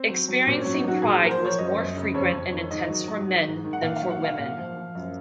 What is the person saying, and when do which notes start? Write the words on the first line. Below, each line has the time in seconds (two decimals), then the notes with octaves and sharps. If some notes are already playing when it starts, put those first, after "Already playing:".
Experiencing pride was more frequent and intense for men than for women.
Already playing: C4
0.08 F#3
0.28 F#3
0.46 A#2 C4
0.61 F#3 C#4
0.74 D#4
0.84 F#3 F#4
1.02 A#2 G#4
1.22 F3 A#4
1.31 C5
1.39 F3
1.45 C#5
1.58 F#2 D#5
1.78 F#2
1.95 C#3
2.14 F2 C#5
2.33 F2
2.52 D#3
2.71 G#2 D#5
2.89 F#3
3.08 F#3
3.27 G#2
3.46 G#2
3.64 D#3
3.73 F#5
3.82 A#2 F5
3.96 F5
4.02 F#3
4.10 F#5
4.20 F#3 F5
4.38 A#2
4.58 F3
4.76 F3
4.95 F#2